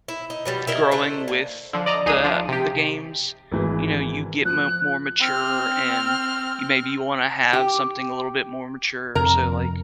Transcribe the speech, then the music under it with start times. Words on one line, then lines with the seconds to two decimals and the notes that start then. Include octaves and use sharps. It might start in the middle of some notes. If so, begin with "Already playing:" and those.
growing with the the games. You know, you get mo more mature and you maybe you wanna have something a little bit more mature so like,
0.08 E4
0.30 D#4
0.45 B2 F#3 G3
0.67 E4 A#4 D#5
0.91 A3 D4 C5
1.28 A#3
1.73 D3 F3
1.86 D5 D#5 A#5
2.06 C#2 D#4 G#4 D#7
2.24 F3 D4
2.48 C3 G4
3.52 G#1 E3 G#3
4.45 F3 F#6
5.20 C4 F6
7.53 G4
9.15 F2 C3 F3 A#4 A#5